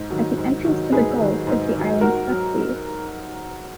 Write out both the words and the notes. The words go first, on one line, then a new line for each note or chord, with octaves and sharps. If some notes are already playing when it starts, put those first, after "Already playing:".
At the entrance to the gulf is the island Spetses.
Already playing: G#2
D#3 F#3
G#2
D#3 F#3
G#2 G#4 B4
D#3 F#3
G#2
D#3 F#3
G#2 F#4 A#4
F#3